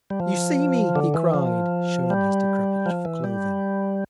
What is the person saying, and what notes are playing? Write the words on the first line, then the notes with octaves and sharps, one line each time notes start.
"You see me!" he cried, showing his decrepit clothing.
G3
F3
D3
E3
F3
G3
F3
E3
G3